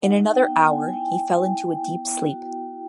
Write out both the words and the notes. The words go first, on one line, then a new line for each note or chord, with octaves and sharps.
In another hour he fell into a deep sleep.
D#4 F#5
G5
B3
G#5
G#5
E4 G5
E4
B3
F#4
E4